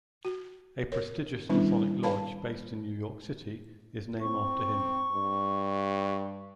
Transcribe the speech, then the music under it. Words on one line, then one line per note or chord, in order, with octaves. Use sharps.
A prestigious masonic lodge, based in New York City, is name after him.
F#4
A#4 C#5
D#3 G3 B3 C#4 D4 E4
B4 F5 A5 B5
C4 C#6
G2